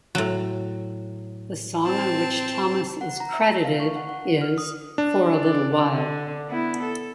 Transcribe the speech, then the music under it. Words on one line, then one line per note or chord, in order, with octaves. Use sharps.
The song on which Thomas is credited is "For a Little While".
A2 F#3
C4 A5
F#5
A#5
E5
A#6
F5
C#6
F#5
F#5
F6
D#6
D4
D5
D3
B3 E4
A4